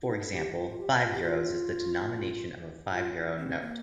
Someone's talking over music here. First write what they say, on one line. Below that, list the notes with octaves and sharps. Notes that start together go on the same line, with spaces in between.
For example, "five euros" is the denomination of a five euro note.
F4
D#4
A4
G4
F4
F4
G4
F4
G4
F4
F4
C4
A#3